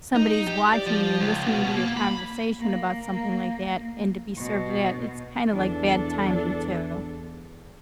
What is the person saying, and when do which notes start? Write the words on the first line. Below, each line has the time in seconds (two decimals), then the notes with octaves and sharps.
somebody's watching you, listening to your conversation about something like that, and to be served that, it's kinda like bad timing too.
0.16 D#4
0.47 G4
0.74 D5
0.86 F3
1.20 C#2
1.48 B2
1.75 A#3
1.97 B5
2.59 A#3
4.38 B2
5.52 E2 D4 A4